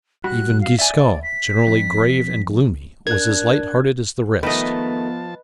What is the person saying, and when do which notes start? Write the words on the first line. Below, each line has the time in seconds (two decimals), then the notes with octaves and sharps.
Even Giscon, generally grave and gloomy, was as light hearted as the rest.
0.24 G2 F#4 B5 F#6
0.61 F5
0.79 D5 E5 G#5
1.23 B6
1.67 F2
3.07 D4 A#4 F#6 G#6
4.43 D#3 F3 A3 B3 B4 D#5 A5